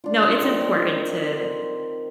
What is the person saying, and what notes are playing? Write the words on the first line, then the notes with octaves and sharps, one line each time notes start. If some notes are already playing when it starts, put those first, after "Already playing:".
No, it's important to
D4 F4
D#3 C4 C6